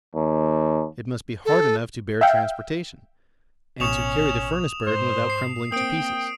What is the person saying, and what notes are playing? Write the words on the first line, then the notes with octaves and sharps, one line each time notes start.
It must be hard enough to bear transportation, and to carry the furnace burden without crumbling to pieces.
D#2
A4
E5 F5 G5
A1 B2 C#4 C#6 D#6 E7 F7
G#2 C5
C7
A#3 C4 G5 D#6 D7